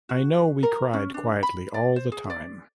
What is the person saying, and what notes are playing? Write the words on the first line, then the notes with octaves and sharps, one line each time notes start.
I know we cried quietly all the time.
F#4
A#4
C#4
D4
B5
D5
C5
G#4
D5